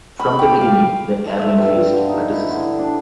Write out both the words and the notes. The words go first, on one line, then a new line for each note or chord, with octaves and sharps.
From the beginning, the airline faced criticism.
B5
G4
F5
A4
E5
G2
F5
D3
D#4
E4
D3
D4